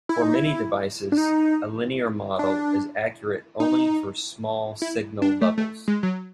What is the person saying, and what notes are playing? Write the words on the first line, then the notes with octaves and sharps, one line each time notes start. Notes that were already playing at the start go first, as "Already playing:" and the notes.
For many devices, a linear model is accurate only for small signal levels.
E4
D#4
E4
D4
D#4
D4
D#4
E4
D4
A3
A3
G#3
F#3